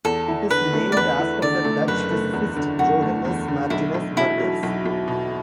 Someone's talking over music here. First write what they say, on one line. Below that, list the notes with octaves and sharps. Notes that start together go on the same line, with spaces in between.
It is named after the Dutch physicist Johannes Martinus Burgers.
E2 A4
E4
D3 B4
A3
D5
E2 B4
E4
D3 D5
A3
F#1 B4
A3
E2
D3
F#1 F#4
A3
E2
D3
B1 E4
B1
B2 E4
F#3
B1
B1
B2